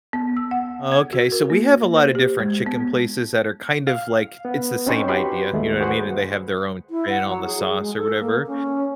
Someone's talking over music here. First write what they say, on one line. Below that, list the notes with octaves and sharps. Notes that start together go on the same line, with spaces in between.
Okay. So we have a lot of different chicken places that are, kind of, like it's the same idea, you know what I mean, and they have their own spin on the sauce or whatever,
B3
E6
F#5
G#6
F#4
A#4
A#3
C5
G4
G#3
B3
F5
B3
C4 C#4 D#4 B4 C5 C#6
F#4 G4 B4 B5 C6
D#2 G#3 A3
F#4 G#4 B4 C5 F#5
E4
F#5
F#3
G#4
G#3
A4
A#3
C#4